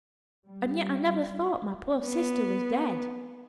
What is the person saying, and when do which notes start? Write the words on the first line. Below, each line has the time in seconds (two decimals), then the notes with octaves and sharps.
And yet I never thought my poor sister was dead.
0.47 G3
2.05 B3